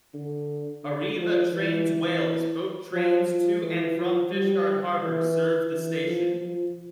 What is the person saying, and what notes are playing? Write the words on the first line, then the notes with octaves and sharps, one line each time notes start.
Arriva Trains Wales boat trains to and from Fishguard Harbour serve the station.
D3
D3
F3
E3
F3
F3
E3
F3
G3
E3
E3
F3
F3